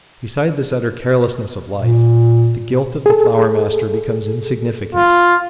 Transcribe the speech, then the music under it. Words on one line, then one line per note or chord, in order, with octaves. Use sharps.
Beside this utter carelessness of life, the guilt of the Flower-Master becomes insignificant.
A#2
G#4 A4
F4